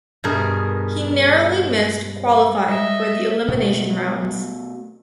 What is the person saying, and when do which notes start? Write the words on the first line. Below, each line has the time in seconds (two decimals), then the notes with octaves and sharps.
He narrowly missed qualifying for the elimination rounds.
0.24 G2 B2 G#4 A#4
2.69 D#5 E5
3.48 B2 A3